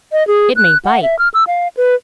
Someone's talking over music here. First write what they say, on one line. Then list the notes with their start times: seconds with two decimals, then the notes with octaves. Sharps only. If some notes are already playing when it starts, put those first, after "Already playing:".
"It may bite!"
0.12 D#5
0.27 G#4
0.56 F#6
0.85 F#5
1.03 E5
1.19 F6
1.34 E6
1.47 F5
1.77 B4